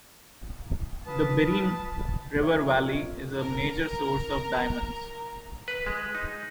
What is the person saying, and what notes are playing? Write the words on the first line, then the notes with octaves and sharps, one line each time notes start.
The Birim river valley is a major source of diamonds.
F4 B4 A5 D#6
F2 A#4 C#5 E5
A#4 A#5
B4
G#3
D#4